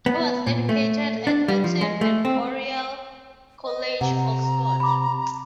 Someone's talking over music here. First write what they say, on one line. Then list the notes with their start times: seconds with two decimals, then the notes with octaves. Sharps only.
He was educated at Eton and Oriel College, Oxford.
0.06 B3
0.47 A#2
0.69 A3
1.27 D4
1.48 G3
1.64 F3
1.81 G#3
2.01 A3
2.25 C4
3.64 D#5
4.01 C3 F#5 A#5
4.80 B5 D6